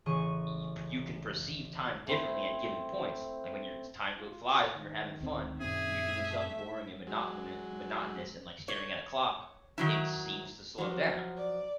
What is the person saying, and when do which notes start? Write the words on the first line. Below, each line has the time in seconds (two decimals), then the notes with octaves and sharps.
y you can perceive time differently at given points. Like when you're time go flies when you're having fun, when you're doing something boring and monotonous monotonous and, like, staring at a clock, it seems to slow down.
0.06 A1 C#3 G#4 C#6 D#7
2.07 A3 C4 E4
4.18 F4
4.74 D#3
5.21 D1 C4
5.61 F#2 A#2 C4 G#4 E5
6.29 A3
7.07 F#3 G#3
8.68 C#5
9.78 D#3 F#3 E4
10.78 F3 F#3
11.36 D5